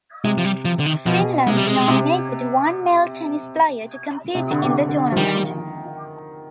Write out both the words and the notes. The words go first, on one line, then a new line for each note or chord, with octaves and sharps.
Finland nominated one male tennis player to compete in the tournament.
C3 G#3
F3
G3
F3
D3
D#3
B2 F3
C3 G#3
G3
G#3
C3
C3
D3
C3
D3
F3
D#3 G3